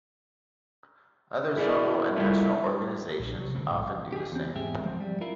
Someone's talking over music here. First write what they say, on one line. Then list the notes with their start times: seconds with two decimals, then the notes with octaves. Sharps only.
Other zonal and national organizations often do the same.
1.57 E4 G#4 A#4 C5 D5
2.16 G3 E4 F4 A4 A#4 E5
3.20 A#1
3.35 C3 F#3
3.55 F1 D3 A3 C4
3.70 A#1 G#2 F#3
4.13 G4 G#4
4.32 E2 C4
4.55 E2 G#2 G#3 G4 G#4 E5
4.86 F3 G#3 C4
5.00 G3
5.21 E4 F4 A#4